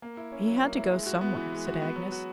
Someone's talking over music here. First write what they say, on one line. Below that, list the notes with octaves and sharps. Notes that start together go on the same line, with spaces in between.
"He had to go somewhere," said Agnes.
A#3
E4
C#4
F#3
A#3
E4
G#3
F#4
B3
E3
G#3
F#4
B3
F#3
F#4